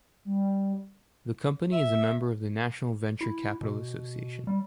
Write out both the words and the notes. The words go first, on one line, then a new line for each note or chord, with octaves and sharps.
The company is a member of National Venture Capital Association.
G3
E5
E4
B2
G3